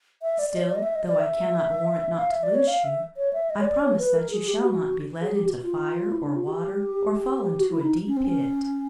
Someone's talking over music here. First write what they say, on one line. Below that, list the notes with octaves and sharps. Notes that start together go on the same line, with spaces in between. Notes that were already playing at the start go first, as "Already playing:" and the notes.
Still, though I cannot warrant not to lose you, I promise that you shall not be led into fire or water, or fall into a deep pit.
E5
D5
D5
D#5
C#5
D5
D#5
E5
D#5
D5
E5
F5
E5
D5
C#5
F5
E5
C#5
E5
D#5
C#5
D5
C#5
B4
A#4
G#4
G4
F#4
G#4
G4
F#4
F4
E4
D4
F4
G4
F#4
E4
D#4
C#4
C4
C#4